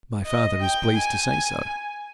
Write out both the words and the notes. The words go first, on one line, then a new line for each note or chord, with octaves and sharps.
'My father is pleased to say so.'
D#5
G5
G#5